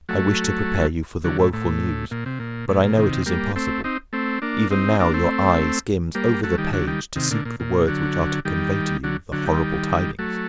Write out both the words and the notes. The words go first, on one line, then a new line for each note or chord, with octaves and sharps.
I wish to prepare you for the woeful news, but I know it is impossible; even now your eye skims over the page to seek the words which are to convey to you the horrible tidings.
F#3 A3
D3 F#3
A2
A2
A#2
C3
A#2
A2
A#2
C3 D#3
G3 A#3
A3 C4
C4 D#4
A3 C4
A#3 D4
C4 D#4
A#3 D4
A3 C4
G3 A#3
F#3 A3
D#3 G3
D3 F#3
D#3 G3
C3 D#3
A#2 D3
A#2
A#2
D3 F#3
D#3 G3
D3 F#3
D3 F#3
D#3 G3
F#3 A3